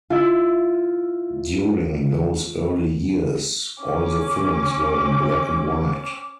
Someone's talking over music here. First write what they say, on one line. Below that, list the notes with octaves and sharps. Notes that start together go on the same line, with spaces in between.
During those early years, all the films were in black and white.
E4 F4
C#4 D6